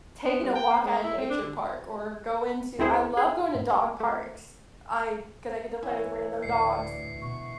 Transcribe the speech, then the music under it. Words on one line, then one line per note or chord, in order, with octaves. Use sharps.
taking a walk at a nature park or going to I love going to dog parks, I 'cause I get to play with random dogs,
B3
G3
G5
A#3
G#3
E4
C4
D4
D3
D2 C4 E4 G#4 C5
G#4
G#2
A3
E3 C#5 C#6
D2 A2 D5 C7 C#7
B2 C#6